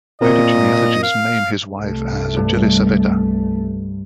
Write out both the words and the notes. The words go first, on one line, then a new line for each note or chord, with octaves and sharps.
Later genealogies name his wife as "Jelisaveta".
A#2 C4 A#4 D#5
F5
C2 A3
G2